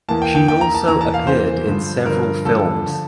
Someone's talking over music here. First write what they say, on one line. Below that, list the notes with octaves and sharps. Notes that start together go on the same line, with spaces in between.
She also appeared in several films.
E2 E3 A#3 A5
G5
G5
E2 E3 A#3 G5
A#5
A5
E2 E3 A#3 A#5
A5
F5
E2 E3 A#3 C5
G2 D3 F3
G2 D3 F3 A#4
G2 D3 F3 A4
D3 F3